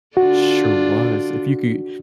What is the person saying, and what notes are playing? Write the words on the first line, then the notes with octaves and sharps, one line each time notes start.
Sure was. If you could
D3 D4 F4 F#4